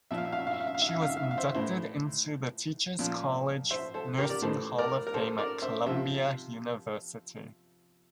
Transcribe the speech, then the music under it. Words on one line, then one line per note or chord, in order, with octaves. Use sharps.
She was inducted into the Teacher's College Nursing Hall of Fame at Columbia University.
A#2 F3 E5
F5
E5
F5
E5
F5
E5
F5
E5
F5
E5
F5
E5
F5
E5
F5
E5
F5
C5 E5
A2 E3 C5 E5
A#2 F3
C5 E5
A4 C5
G4 A#4
D5
A2 E3 A4 C5
A#4 D5
A#4
A4 C5
A#4 D5
C5 E5
C3 F3 C5 E5